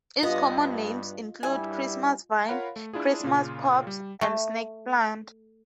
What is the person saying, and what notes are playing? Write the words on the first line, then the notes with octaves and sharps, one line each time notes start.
Its common names include Christmasvine, Christmaspops, and snakeplant.
G2 B3 F4 D#5
G2 G3 E4 G#5
F4 A#4 C#5 F5 F#5 B5
A3
D4 E4 F4 G#4
A#2 C#3 F4
G3
A3